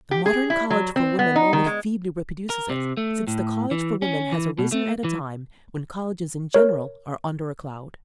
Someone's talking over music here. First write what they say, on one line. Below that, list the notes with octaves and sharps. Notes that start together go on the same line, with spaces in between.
The modern college for women only feebly reproduces it, since the college for women has arisen at a time when colleges in general are under a cloud.
G4
G#4
E4
F#3
C4
B3
D#4
D#3
G#3
A#4
C3
A3
A2
E3
C#4
E3
B2
A3
E3
A#4 C#5